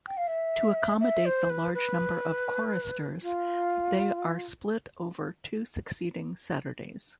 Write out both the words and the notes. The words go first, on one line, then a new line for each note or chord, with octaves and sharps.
To accommodate the large number of choristers, they are split over two succeeding Saturdays.
G5
F5
E5
E5
C5
B4
B4
F4